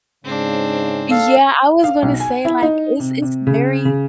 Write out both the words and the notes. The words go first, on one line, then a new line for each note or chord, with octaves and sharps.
Yeah I was gonna say, like is it's very
G#2 C#3 C4 D4
A4 F5
F5
B1
G#5
E4
D#4
C3
C3
C#3
C#3